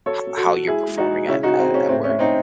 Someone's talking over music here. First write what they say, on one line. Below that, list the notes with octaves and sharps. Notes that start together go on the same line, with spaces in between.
h how you're performing at at at work?
F#3 A4 C#5
F#3
F#4 A4
F#3
G#3 E4 G#4
G#3
D#4 F#4
G#3
C#3 C#4 E4
D#4 F#4
C#3
C4 D#4
C#3
C#4
A2 C4
C#4
A2
C4 D#4